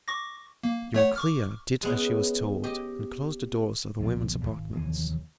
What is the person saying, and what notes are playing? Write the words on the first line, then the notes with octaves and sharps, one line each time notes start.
Euryclea did as she was told and closed the doors of the women's apartments.
C#6 D6 A#6
A#3
A3 C#5 F#5
C#6 D6 F6
G#3 B3 C#4
G4 D#5
C2 F2 B2 D3
D#1 G#1
F1 D#2 E3